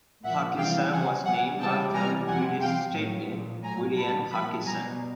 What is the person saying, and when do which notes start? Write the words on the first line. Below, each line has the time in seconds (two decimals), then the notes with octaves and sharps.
Huskisson was named after the British statesman William Huskisson.
0.24 A#2 F3 E5 F#5
0.58 C3 E3 G3 F5 G5
0.92 C#3 F3 F#5 G#5
1.25 B2 G3 F#5 G#5
1.59 C#3 E3 G3 G5 A5
1.93 C3 E3 G3 G#5 A#5
2.28 C3 F3 F#5 G#5
2.61 C3 F3 F5 G5
2.95 A2 F#3
3.30 A#2 F3
3.63 A2 F#3 G#5 A#5
3.97 A#2 G3 A5 B5
4.31 A#2 F3 A5 B5
4.65 B2 G3 G#5 A#5